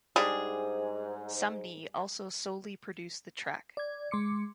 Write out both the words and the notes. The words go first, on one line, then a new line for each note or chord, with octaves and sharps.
Sumney also solely produced the track.
G#2 G3 D4 G#4
D5 G#6
G#3 C6 D6 C#7